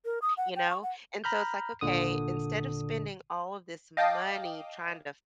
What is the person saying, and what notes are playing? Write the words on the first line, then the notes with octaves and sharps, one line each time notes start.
You know? And so it's like, okay, instead of spending all of this money trying to
A#4
D#6
F#5
G5
C#6
F#5
A#5 B5 F6 G6
G#1 A#2 D3 D#6
D#5 F5 G5 A5 D6 D#6